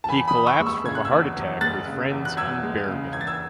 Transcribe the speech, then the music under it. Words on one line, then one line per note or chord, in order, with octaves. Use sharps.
He collapsed from a heart attack with friends in Bergen.
A5
E2 G#5 B5
B5 D#6
E2
C#6 E6
G#3
C#6 E6
C#3 G#6
F#6
E6 G#6
E2
E2
G#3 F#6 A6
C#3
E2
F#6
E2 E6 G#6
G#3
C#3
E2 G#6
A6
E6 G#6